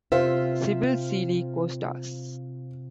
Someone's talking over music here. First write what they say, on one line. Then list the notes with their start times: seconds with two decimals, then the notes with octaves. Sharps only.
Sybil Seely co-stars.
0.12 C3 F4 C5 E5 F5